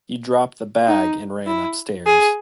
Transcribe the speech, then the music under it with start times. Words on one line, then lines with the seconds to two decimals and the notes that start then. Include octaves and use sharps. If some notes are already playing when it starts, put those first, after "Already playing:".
He dropped the bag and ran upstairs.
0.87 D#4
1.47 E4
2.06 G#4